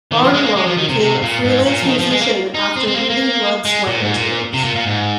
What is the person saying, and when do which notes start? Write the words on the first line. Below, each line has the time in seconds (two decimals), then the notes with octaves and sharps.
Bargeron became a freelance musician after leaving Blood, Sweat, and Tears.
0.11 D#3
0.23 F3
0.34 G#3
0.40 C4
0.44 A#3
0.56 G#3
0.67 F3
0.77 D#3
0.89 C3
1.00 C3
1.22 A#2
1.44 G#2
1.66 A#2
1.82 F3
1.88 D#3
1.99 F3
2.11 G#3
2.21 A#3
2.54 D#4
2.76 C4
2.87 C4
2.94 A#3
2.99 C4
3.10 A#3
3.65 G#3
3.87 A#2
4.00 G#2
4.14 A#2
4.53 C3
4.64 A#2
4.76 A#2
4.86 G#2